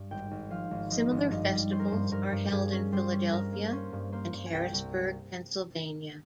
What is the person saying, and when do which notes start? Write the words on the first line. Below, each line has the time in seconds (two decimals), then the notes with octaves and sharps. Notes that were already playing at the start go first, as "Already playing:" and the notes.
Similar festivals are held in Philadelphia and Harrisburg, Pennsylvania.
Already playing: G2
0.11 G#1 G5
0.31 G#1
0.51 F3 F5
0.71 G#1
0.91 F3 D#5
1.11 G#1
1.32 G2 D#5
1.51 G3
1.71 C#4 C5
1.79 A#4
1.88 G2 C5
2.12 G2 A#4
2.32 G2
2.45 G4
2.52 G2 G#4
2.72 C#4
2.92 G3 C5
3.12 C#4
3.32 G2 A#4
3.53 A#3
3.72 C#4 C5
3.93 G2
4.12 A#3 C5
4.33 G2
4.46 G#5
4.53 C2 G5
4.73 C2